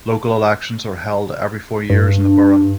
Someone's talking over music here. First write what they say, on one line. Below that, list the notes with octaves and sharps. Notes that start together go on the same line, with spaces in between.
Local elections are held every four years in the borough.
G2